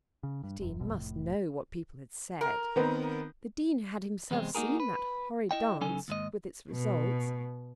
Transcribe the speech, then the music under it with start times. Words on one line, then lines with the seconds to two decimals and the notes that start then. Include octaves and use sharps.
The Dean must know what people had said. The Dean had himself seen that horrid dance, with its results.
0.23 C#3
0.44 G2
0.60 E1 F#2
0.80 F1 B1 F#2 B2
0.98 F1 A2
2.41 A#4
2.76 D#3 B3 C4
4.31 E2 C3 G#3 C4
4.55 A#3 D#4 F#4 G#4 A#4
4.80 B4
5.51 E4 D#5 G5
5.81 C#3 F#3 C#4 D#4 A4 G#5
6.08 D#2 G#2 D#5
6.72 B2